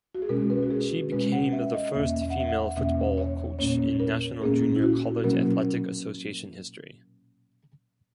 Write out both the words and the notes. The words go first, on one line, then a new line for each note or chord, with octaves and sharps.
She became the first female football coach in National Junior College Athletic Association history.
F#4
G#4
B2 G#3 C#4 A#4
B4
F#4
G#4
B2 G#3 C#4 B4
F#5
E5
D#5
E2 B2 A#3 C#4 E5
E5
F#5
E5
F#5
E2 B2 A#3 C#4 E5
C#5
A#2 A#3 C#4 C#5
A#4
A#2 A#3 C#4 G#4
E4
F#4
B2 F#3 A#3 C#4 A#4